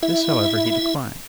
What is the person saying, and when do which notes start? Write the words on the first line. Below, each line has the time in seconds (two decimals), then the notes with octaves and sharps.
This, however, he declined.
0.03 E4 E5